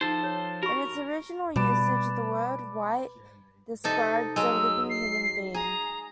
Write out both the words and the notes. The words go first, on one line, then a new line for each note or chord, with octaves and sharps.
In its original usage the word "wight" described a living human being.
F3 D#4 A4 C5
C#5
F#4 A#4 B5 C#6
B2 G3 B4 D5 A5
C3 D#4 A4
F#3 G#3 E6
C7
G#4 A#5